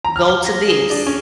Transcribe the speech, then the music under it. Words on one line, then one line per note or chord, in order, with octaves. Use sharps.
"Go to this,
A#5
F6
G7
A#6
G#4
D4
C#4